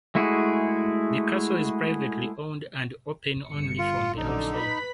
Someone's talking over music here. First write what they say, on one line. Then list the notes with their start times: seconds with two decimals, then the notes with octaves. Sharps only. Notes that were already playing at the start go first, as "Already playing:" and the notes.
The castle is privately owned and open only from the outside.
0.15 G#3 A3 E4 F#4 G#4
3.48 G1 C#7
3.78 F4
4.17 A#1 F#2 D3 D#4
4.57 B4 B5 B6